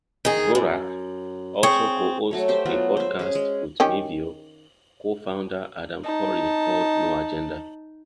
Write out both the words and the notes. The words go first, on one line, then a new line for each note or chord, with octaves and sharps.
Dvorak also co-hosts a podcast with Mevio co-founder Adam Curry called "No Agenda".
D#3 G#4
F#2
C4 G#4 C#5
F#3 A3 C#5
G4 C5 E5 G5
F#3 A3 B3 F4
C5 E5
C#4 G#4
G#3
D#3 C#4 G4
D#4 A5